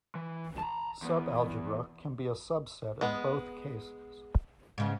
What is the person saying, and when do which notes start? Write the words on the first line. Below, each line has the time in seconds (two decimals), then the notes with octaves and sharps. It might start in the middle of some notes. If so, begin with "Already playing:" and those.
Subalgebra can be a subset of both cases.
0.15 E3
0.58 A5 A#5
1.02 E2 B3
3.01 G#3 B3
4.78 G#2 C#3 B3